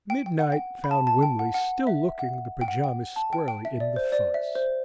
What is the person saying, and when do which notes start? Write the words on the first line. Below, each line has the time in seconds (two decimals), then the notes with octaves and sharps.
Midnight found Wimley still looking the pajamas squarely in the fuzz.
0.10 G5
0.26 G5
0.39 F#5
0.52 G5
0.84 B5
0.91 A5
1.07 A5
1.23 G5
1.39 F#5
1.54 F#5
1.87 E5
2.19 F#5
2.61 G5
2.68 F#5
2.84 G5
3.16 A5
3.33 G5
3.48 G5
3.65 E5
3.80 D5
3.96 C5
4.12 D5
4.34 E5
4.55 C5